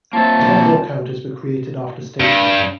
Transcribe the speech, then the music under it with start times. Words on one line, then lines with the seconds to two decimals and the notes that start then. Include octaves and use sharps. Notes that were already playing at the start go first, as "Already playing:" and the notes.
Ten more counties were created after statehood.
0.13 F3 A#3 C4 C#5 E5 A5
0.39 B2 D3 G3
2.20 G2